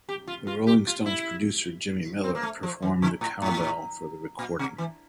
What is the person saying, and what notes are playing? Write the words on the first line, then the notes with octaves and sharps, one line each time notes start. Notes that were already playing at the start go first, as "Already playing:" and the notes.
The Rolling Stones' producer Jimmy Miller performed the cowbell for the recording.
G4
F4
F4
G4
F4
E4
C4
A#3
A3
F3
E3
D3
A2
A2
A#2
C3
E3